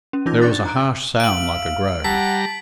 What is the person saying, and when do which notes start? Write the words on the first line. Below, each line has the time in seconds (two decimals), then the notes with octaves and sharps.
There was a harsh sound like a groan.
0.13 C#4
0.26 E3 D#4 F4 G6 A#6
0.41 D4 D5 D6 F#6 A6
0.66 A#5 F#6 D7
1.20 E5 F5 D7 F#7
2.04 G3 F#5 A5 A#5 B6